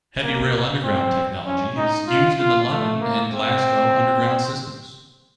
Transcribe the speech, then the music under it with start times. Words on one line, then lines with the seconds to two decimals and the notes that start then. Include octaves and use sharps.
Heavy rail underground technology is used in the London and Glasgow Underground systems.
0.22 A#3
0.84 C4
1.46 C#4
1.77 D#4
2.08 F4
2.39 F4
2.70 A3
3.01 A#3
3.32 C4